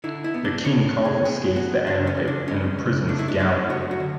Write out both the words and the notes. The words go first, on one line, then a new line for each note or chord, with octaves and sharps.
The king confiscates the amulet and imprisons Galen.
D3 E4
E4
B3
D4
A2 C#5
A2
G#4
B3 G#4
B3 F#4
C#3 D4
C#4
C#3
D4
G#3 C#4
C#3
A3 D4
E4
D4
F#3 D4
A3 F#4
F#4
D3